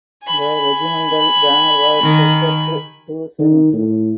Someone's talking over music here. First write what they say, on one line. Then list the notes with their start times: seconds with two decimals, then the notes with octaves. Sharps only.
The regimental banner was entrusted to Sen.
0.23 G#5 B5
2.02 D#3
3.39 D#3
3.73 A2